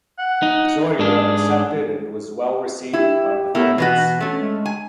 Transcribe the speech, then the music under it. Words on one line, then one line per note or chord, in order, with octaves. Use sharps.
Zoya accepted and was well received by the fans.
F#5
D#4
G#2 D4 G#4
E4 G4
A3 B3 E4 A#4
B2 E3 B3 F#4
A3 C#4
G#3
G#5